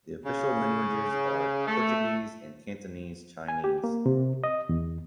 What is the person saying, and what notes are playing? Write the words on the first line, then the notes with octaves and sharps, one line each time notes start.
The official languages are Portuguese and Cantonese Chinese.
C#3
A3
G#5
G4
A#3
C3
D#5
E2